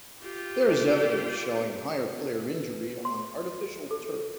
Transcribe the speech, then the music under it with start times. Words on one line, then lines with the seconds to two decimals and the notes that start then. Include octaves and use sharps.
There is evidence showing higher player injury on artificial turf.
0.23 F4 G4
2.54 B4
3.05 C6
3.91 A4